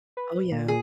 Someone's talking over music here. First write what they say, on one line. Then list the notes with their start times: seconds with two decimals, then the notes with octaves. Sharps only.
Oh, yeah.
0.17 B4
0.52 A#2
0.68 G#4